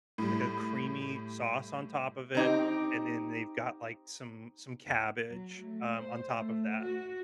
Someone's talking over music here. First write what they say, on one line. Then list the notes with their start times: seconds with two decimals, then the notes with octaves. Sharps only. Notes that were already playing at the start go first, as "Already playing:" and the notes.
like, a creamy sauce on top of it, and then they've got, like, some some cabbage, um, on top of that.
0.18 A2 G3
2.35 C4 D#4 G4
5.30 F#3
5.61 A3
5.94 C5
6.35 A3
6.80 F#4